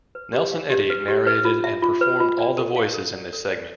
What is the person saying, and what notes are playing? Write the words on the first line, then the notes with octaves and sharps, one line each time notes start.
Nelson Eddy narrated and performed all the voices in this segment.
B4
G4
F5
G4
B4
G4
B4
F4
E5
F4
B4
F4
D5
A4
F5
A4
D5
A4
D5